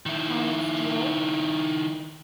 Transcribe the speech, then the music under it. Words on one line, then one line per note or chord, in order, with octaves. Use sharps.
Carnets Geol.
D#3 E4